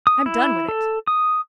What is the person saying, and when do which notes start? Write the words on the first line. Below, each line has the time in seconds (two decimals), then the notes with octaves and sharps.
I'm done with it.
0.07 D#6
0.26 E4
0.69 A4
1.07 D#6